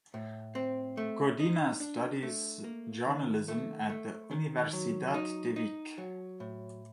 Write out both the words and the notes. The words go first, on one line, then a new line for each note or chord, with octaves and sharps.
Codina studies journalism at the Universidad de Vic.
A2
C4
A3
D#4
D4
A3
A#3
D#3
A3
A3
D#3
F#3
D#4
D#4
F#3
A2